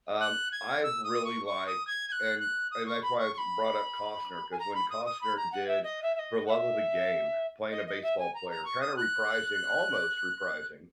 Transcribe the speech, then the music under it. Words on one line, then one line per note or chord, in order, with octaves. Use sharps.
um, I've really liked and and that's why I've brought up Costner, 'cause when Costner did For Love of the Game, playing a baseball player, kinda reprising- almost reprising-
F#6
G#6
E6
D#6
C#6
C#6
D#6
G#6
G#6
F#6
F#6
D#6
C#6
B5
C#6
C#6
B5
G#5
A#5
B5
D#6
D#6
B5
A#5
F#5
E5
D#5
E5
E5
D#5
F#5
E5
D#5
D#5
E5
G#5
A#5
A#5
C#6
D#6
F#6